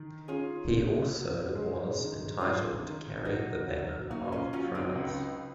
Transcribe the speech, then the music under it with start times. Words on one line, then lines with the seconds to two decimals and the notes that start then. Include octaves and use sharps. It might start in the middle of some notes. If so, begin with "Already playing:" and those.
He also was entitled to carry the banner of France.
Already playing: D#3
0.28 C#4 F4 G#4
0.70 C#4
1.13 F#3
1.55 G#3
1.99 D#3
2.40 F#2 F4 G#4
2.83 D#3
3.25 F#3 D#4 F#4
3.68 F#3
4.10 A#3 D#4 F#4
4.32 C#4 F4
4.53 F#3 C#4 F4
4.74 C4 D#4
4.95 C#2